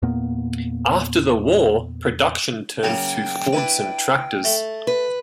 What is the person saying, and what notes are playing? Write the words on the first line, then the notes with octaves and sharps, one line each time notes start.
After the war, production turned to Fordson tractors.
E2 A#2 A#3 B3
C#3 F#3 A#3 G5
D4 E4 B4
A3
B4